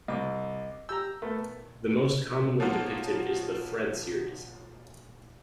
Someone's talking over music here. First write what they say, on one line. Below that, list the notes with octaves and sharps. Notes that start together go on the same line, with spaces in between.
The most commonly depicted is the "Fred" Series.
C2 D#5 D6
G4 A#5 E6 G6
A3 B3 A#4
F3 F#3 A#3 B3 F4 F#4